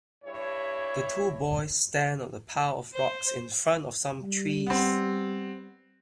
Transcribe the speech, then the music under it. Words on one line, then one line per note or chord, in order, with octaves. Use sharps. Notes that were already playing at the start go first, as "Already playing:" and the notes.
The two boys stand on a pile of rocks in front of some trees.
G2 E4 C#5
C5
G3
B3 C4